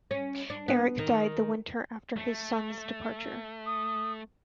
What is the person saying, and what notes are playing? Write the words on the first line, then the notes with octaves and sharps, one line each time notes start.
Erik died the winter after his son's departure.
C#4
D4
B3
D#3
A3
D#6